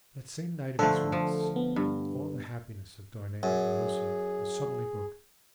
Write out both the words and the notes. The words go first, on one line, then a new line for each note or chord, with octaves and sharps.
That same night of his release all the happiness of Darnay and Lucie was suddenly broken.
D3 F3 A3 A4
F3
B3
G2
F#2 G#4